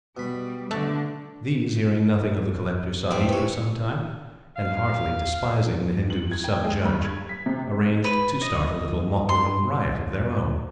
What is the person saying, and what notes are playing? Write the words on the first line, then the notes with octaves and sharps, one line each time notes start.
These, hearing nothing of the Collector-Sahib for some time, and heartily despising the Hindu Sub-Judge, arranged to start a little Mohurrum riot of their own.
B2 G3 B5
D3 A3
G#2
G2 A3 C4
E3 C#5
F5
F#7
G#6
G5
G#3
G2
G#6
B6
C3
B4
D#5
C6